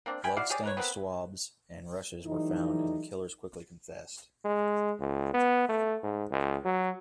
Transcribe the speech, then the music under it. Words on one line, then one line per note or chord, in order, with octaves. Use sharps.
Bloodstained swabs and rushes were found, and the killers quickly confessed.
A#3 C4 D4
C3 G5 G#5 B5
E4 F#4 D5 F5
G4 G#4 C#5 D5
A#4 B4 C#5
B3 C4 A#4 B4
E3 F#3 G3 A3 D#4
G#3
C#2
B3
A3
G#2
C#2
F#3